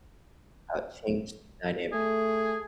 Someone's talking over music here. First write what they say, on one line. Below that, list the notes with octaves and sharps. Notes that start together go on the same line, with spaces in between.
uh, changed the dynamic,
A3 G#4